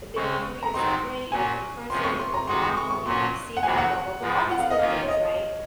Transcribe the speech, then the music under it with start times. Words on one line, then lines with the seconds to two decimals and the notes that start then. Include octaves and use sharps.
they were like, "Oh, you're so great. You're a good person. You're a good mom," you know, "I see that. Blah, blah, blah," all these good things, right?
0.16 C#3 G#3 C4 C#6
0.63 A#5
0.74 G#2 D#3 F#3 C4 D#4 C6
1.32 A#2 F#3 C#4 G#5
1.90 C3 F3 G#3 C#4 C6
2.04 C#6
2.19 C6
2.34 A#5
2.47 D#3 G#3 D#4 F#4 C6
2.62 C#6
2.77 C#6
2.91 C#6
3.05 A#2 F#3 C#4 C6
3.57 F#5
3.63 F2 C3 D#3 F#3 A#3 G#5
3.78 F#5
4.21 G#2 F3 G#3
4.51 F#5
4.60 F5
4.70 D#5
4.79 D#3 A#3 C#4 F4 F5
5.02 C#5
5.08 D#5